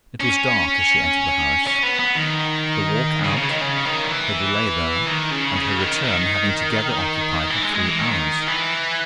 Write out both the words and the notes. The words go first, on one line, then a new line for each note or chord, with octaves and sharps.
It was dark as she entered the house--the walk out, her delay there, and her return having together occupied her three hours.
C#4
C#4
B3
B3
D#3
C#3
C#3
D#3
C#3
D#3
G3
E3
D#3
C#3
C#3
D#3
D#3
E3
G#3
G#3
E3
D#3
E3